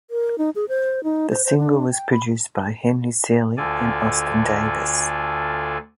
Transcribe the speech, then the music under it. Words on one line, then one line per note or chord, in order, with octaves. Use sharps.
The single was produced by Henry Seeley and Austin Davis.
A#4
D#4
G#4
C5
D#4
C5
C5
D4
G5
B5
D2 D3 F4 A4 D5 G#5